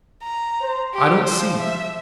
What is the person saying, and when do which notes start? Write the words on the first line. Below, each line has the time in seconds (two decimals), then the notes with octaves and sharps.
I don't see.
0.23 A#5
0.62 C5
0.93 G4
1.25 F3 C5
1.59 E5